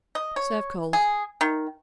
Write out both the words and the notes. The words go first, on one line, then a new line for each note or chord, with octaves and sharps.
Serve cold.
D#5
C#5
G#4
D#3